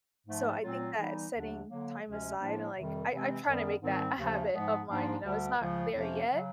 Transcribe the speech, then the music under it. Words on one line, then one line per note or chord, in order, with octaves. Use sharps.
so, I think that setting time aside and, like I I'm trying to make that a habit of mine, you know? It's not there yet,
G#2 F3 A3
A#2 F#3 A3 C4 F4
E3 G3 B3 D#4
D#2 D3 F#3 A3 D4
D3 F#3 A#3
D2 C3 F3 G#3 C#4
A2 F3 A#3 D4
F2 C3 D#3 G3
C3 E3 G#3 C4
F#2 D#3 G3 B3
G#2 D#3 G3 C4
D#2 C#3 F3 A3 D4
G#2 F3 G#3 B3
G#2 F3 A#3 D4
D2 D3 G3
C#2 C#3 F3
F2 C3 F3 A#3 C#4
C#3 F#3